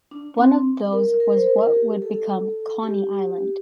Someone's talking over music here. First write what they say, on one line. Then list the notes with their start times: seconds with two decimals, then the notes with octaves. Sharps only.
One of those was what would become "Coney Island".
0.11 D4
0.38 C4
0.92 A#4
1.20 A#4
1.33 C5
1.47 A#4
1.61 A#4
1.74 G4
2.02 A4
2.83 G4